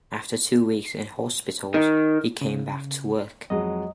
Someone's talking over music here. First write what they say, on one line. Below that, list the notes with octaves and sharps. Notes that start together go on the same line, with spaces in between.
After two weeks in hospitals, he came back to work.
D#3
C#3
F2 F#3 G#3 D#5